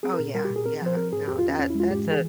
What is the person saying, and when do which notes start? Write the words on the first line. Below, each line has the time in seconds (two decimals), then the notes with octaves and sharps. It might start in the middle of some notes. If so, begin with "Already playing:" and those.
Oh, yeah, yeah, no. That that's a
0.03 C4 G#4
0.14 A#4
0.19 A#2
0.34 G3 A#4
0.45 G4
0.50 A#2
0.56 G#4
0.66 C4 A#4
0.82 F3 C5
0.97 C4 A#4
1.12 G#2 G#4
1.28 E2 G4
1.39 F4
1.44 E2 C#4
1.59 E2 C#4
1.70 E4
1.75 G#3
1.80 F4
1.91 G#2 G4
2.06 E3
2.12 G#4